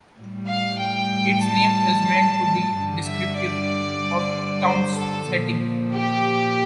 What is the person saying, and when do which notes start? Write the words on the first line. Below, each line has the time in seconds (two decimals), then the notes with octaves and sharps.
Its name is meant to be descriptive of the town's setting.
0.18 A2 G3
0.49 F5
0.81 G5
1.45 A5
2.73 G2 D3 G3
3.05 E5
3.37 D5
4.64 C5
4.96 A4
5.29 A#2 F3
5.92 G4